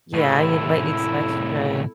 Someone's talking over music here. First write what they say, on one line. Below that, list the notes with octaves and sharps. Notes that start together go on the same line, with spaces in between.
yeah, you’d might need some extra
A2 C3 E4 A4